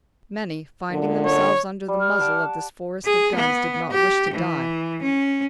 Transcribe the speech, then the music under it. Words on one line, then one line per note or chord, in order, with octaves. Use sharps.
Many, finding themselves under the muzzles of this forest of guns, did not wish to die.
F#2 A#2 D3
C#5
G3
F6
F#5 A5 D6
G#4
B3
G4
E3
C#4